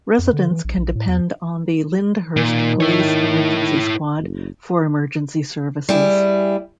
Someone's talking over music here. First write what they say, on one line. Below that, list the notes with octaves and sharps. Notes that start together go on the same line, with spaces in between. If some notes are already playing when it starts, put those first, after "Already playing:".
Residents can depend on the Lyndhurst Police Emergency Squad for emergency services.
F2
D3
E3
A#1
A#1
A2
E2
A#2 D#3
E4 C#5
F#1
G3 E4 G#4